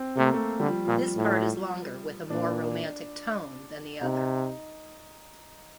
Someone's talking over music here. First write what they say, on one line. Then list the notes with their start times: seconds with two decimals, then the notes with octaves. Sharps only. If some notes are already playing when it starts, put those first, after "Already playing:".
This part is longer with a more romantic tone than the other.
Already playing: C4
0.17 C3 A3
0.25 A#3
0.34 A3
0.60 D3 G3
0.68 F3
0.85 A#2 F3
1.16 A2
2.30 A#2 D4
4.01 C3 D#4